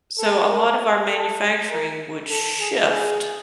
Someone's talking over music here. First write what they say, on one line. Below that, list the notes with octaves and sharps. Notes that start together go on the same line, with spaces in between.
so, a lot of our manufacturing would shift.
A4
A#4
A4
A#4
A4
G#4
G#4